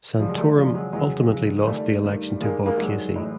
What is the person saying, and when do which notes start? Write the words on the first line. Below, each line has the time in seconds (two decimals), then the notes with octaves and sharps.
Santorum ultimately lost the election to Bob Casey.
0.19 F2 C#3 E3 F3 G3
0.28 F#3 G#3
0.38 G3 A3
0.56 F2 C#3 E3 F3 G3
0.74 F#3 G#3
0.93 F2 C#3 E3 F#3 G#3
1.30 F2 C#3 E3
1.67 G2 D#3 G3 A3
2.04 G2 D#3
2.41 G2 D#3 G#3 A#3
2.66 G#3 A#3
2.78 G2 D#3 F#3 G#3
3.16 A2 E3